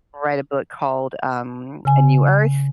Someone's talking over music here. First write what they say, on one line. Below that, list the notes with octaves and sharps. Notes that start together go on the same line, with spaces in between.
write a book called, um, A New Earth,
C#3 G#5